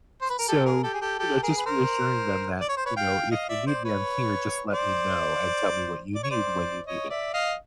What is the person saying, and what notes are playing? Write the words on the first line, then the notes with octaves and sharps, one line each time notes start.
So, you know, just reassuring them that, you know, "If you need me, I'm here, just let me know and tell me what you need when you need it."
C5
B4
A#4
G4 A4
G#4 A#4
G4 A4
G#4
G4 A4
G4 A4
G#4 A#4
B4
A#4 C5
D5
C#5
C5
B4 C#5
F5 G5
D#5 F5
D5 E5
C5 D5
B4 C#5
C5 D5
D5
C#5
C5 D5
C#5 D#5
D5 E5
D#5 F5